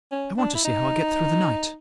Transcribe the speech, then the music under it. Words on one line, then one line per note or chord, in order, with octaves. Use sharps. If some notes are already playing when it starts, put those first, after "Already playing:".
I want to see how I get through the night.
C#4
D4
E4
D#4